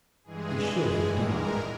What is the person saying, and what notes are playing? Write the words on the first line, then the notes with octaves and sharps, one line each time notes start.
He should have died.
G2 E3 G#3 G#4
A#4